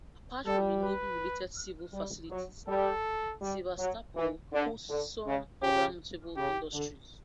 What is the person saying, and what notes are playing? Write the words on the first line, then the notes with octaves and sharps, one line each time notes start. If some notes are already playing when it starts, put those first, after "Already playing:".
Apart from navy-related civil facilities, Sevastopol hosts some other notable industries.
G3 A4
B4
G3
F#3
G3 A4
G3
F#3
E3
D3
D3
C#3
C#3 G4
C#3 G4
D3